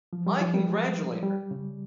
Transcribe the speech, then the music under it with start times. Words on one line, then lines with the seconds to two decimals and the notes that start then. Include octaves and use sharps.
I congratulate her.
0.13 F3
0.27 G3
0.40 F3
0.54 G3
0.68 G#3
1.23 G3
1.51 C#3